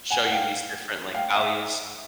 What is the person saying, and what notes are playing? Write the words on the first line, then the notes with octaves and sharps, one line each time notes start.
show you these different, like, values.
F#5 G#5
F#5
F5 G5
F5 G5
E5 F#5